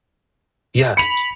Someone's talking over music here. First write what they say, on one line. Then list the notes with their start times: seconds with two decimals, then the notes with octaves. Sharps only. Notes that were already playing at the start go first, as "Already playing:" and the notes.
Yes, t
0.97 B5 C#7 F7